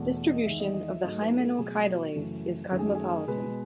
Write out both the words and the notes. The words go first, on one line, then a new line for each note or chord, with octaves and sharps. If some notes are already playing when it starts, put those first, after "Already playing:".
Distribution of the Hymenochaetales is cosmopolitan.
Already playing: E2 B2 A3
D#5
E2 D#3 G#3 E5
D#5
D#5
E5
G#2 F#3 A3 D#5
B4
A4
B2 F#3 A3 G#4
F#4
F#2 C#3 E3 A3
F#2 D#3 A3 A4
G#4
F#4
G#4
B2 G#3 B4